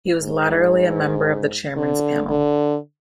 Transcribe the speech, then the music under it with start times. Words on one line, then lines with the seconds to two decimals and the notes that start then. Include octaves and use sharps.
He was latterly a member of the Chairman's Panel.
0.20 G#2
1.77 D3
2.29 D3